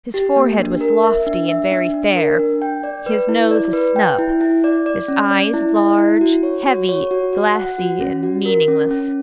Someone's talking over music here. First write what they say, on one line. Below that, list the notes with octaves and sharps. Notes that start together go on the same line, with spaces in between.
His forehead was lofty and very fair; his nose a snub; his eyes large, heavy, glassy, and meaningless.
G4
A#3
D4
A#4
E5
D4
E5
D4
D4
A#4
D4
G5
D5
B4
E4
D5
B4
G5
E4
E4
D5
D5
C#4
D5
E4
E4
E4
F#4
C#5
F#4
C#5
F#4
F#4
F#5
F#4
C#4
F#4
A#4
C#4
C#4